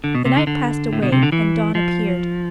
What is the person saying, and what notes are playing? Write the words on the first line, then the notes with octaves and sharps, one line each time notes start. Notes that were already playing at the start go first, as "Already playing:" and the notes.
The night passed away, and dawn appeared.
D3
B2
C3
D3
D3
A2
B2
C3
D3
E3
F3